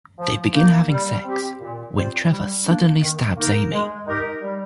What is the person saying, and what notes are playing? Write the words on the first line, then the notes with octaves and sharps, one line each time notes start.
They begin having sex when Trevor suddenly stabs Amy.
F3
A#3 D#4
G3
C4 G4
A#2
G3 C4 F4 C5
G3
A#3 D4
D#3
A#3 D#4 A#4
G#3
D#4 G4 A#4
G3